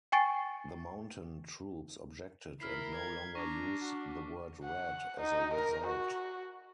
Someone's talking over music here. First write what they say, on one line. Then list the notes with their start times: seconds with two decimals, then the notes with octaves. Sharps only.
The mountain troops objected, and no longer use the word 'red' as a result.
0.12 G5 G#5 C#6 A6 C7 D7
2.60 E4 A#4 B5 F6 B6 C7
2.95 G#6
3.35 D4 A#5 C#6
3.81 F#4
4.64 F#5
5.20 D#4
5.54 A#4
5.87 F#4